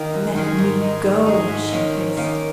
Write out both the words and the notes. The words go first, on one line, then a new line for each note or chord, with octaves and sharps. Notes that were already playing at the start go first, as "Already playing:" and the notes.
"Let me go!" she hissed.
Already playing: D#3 A#3
F#2
D#3 G#3
G#2
G#3 D#4
G#2
G#3 D#4
G#2
D#3 A#3 C#4
G#2
D#3 A#3 C#4